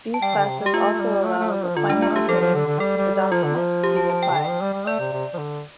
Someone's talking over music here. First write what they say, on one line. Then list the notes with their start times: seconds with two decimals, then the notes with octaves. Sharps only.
These classes also allow the final appearance of the document to be applied.
0.14 A5
0.21 G3 G5
0.35 D3
0.47 C3
0.61 G3
0.66 G4
0.74 A3 F4
0.94 A3
1.00 G3
1.25 A3
1.39 A3
1.51 G3
1.65 F3
1.77 D3 F4
1.90 G3 D4
2.02 F4
2.11 A3 G4
2.28 F3 A4
2.41 F3
2.55 D3
2.67 D3
2.80 G3 A4
2.97 G3
3.15 G3
3.32 F3 F4
3.44 D3
3.56 F3
3.83 G4
3.96 A5
4.10 A5
4.23 G5
4.30 C3
4.35 D3 G5
4.48 F3
4.61 G3
4.74 G3
4.87 A3 D5
5.00 C3
5.13 C3
5.34 F3
5.38 D3